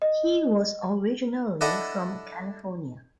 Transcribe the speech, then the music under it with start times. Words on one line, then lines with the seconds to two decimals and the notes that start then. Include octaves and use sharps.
He was originally from California.
0.02 D#5
1.61 D4 E4 A4 D#5 F#5